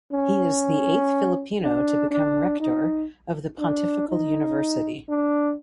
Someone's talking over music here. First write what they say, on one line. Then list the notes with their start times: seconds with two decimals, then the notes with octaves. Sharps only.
He is the eighth Filipino to become rector of the pontifical university.
0.12 C#4
1.61 D4
2.10 D4
2.60 D#4
3.59 D4
4.09 D#4
5.08 D4